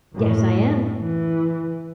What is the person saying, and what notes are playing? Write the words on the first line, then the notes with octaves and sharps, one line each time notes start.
Yes, I am.
F#2 A2
E3